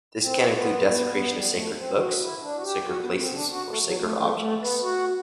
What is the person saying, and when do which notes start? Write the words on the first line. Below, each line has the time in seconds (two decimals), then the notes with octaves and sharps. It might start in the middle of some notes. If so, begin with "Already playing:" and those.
This can include desecration of sacred books, sacred places or sacred objects.
0.22 C4
0.54 B3
0.87 B3
1.10 B3
1.31 G3
1.53 A3
1.75 C4
1.98 F#4
2.19 E4
2.41 D4
2.58 F#4
2.63 G4
2.85 F#4
3.01 B3
3.18 C4
3.34 D4
3.51 F#4
3.67 A3
3.84 F#3
4.01 A3
4.17 A3
4.39 A3
4.60 B3
4.82 F#4